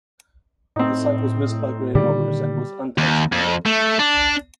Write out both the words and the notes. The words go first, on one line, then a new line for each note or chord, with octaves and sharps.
The site was missed by grave robbers and was untouched when opened.
A2 C4 D#4
A#2 D3 D#3 G3
D#2
F2
A3
D4